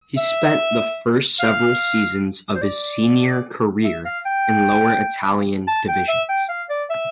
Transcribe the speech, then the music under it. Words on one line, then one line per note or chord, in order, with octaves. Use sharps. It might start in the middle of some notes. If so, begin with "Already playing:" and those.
He spent the first several seasons of his senior career in lower Italian divisions.
E5
F5
C5
D5
E5
F5
G5
A5
G5
E5
G5
F5
D5
E5